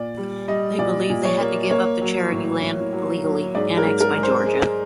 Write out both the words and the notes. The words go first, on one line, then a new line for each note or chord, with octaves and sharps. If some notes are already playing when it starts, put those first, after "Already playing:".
They believed they had to give up the Cherokee land illegally annexed by Georgia.
Already playing: A#2 D5
G3
G3 D#5
A#2 D5
A#2
C#5
A#3
A#3 C#5
F#3
A2
A2
F#3
F#3
G#2 D5
A#4
G#2
A#4
G#3
C5
G#3